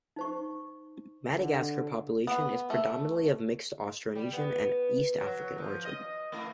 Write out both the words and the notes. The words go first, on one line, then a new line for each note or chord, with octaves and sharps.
Madagascar's population is predominantly of mixed Austronesian and East African origin.
D#4 C5 C#6
D3
B3
A3
G3
B3
F#3
F3
D#5
A3 E4